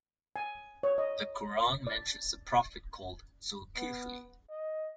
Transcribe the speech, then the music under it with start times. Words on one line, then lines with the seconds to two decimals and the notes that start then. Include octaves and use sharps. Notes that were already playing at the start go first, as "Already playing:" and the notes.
The Qur'an mentions a prophet called Zul-Kifl.
0.36 G#5
0.83 C#5
0.98 D#5
1.87 D5
3.77 B3
4.50 D#5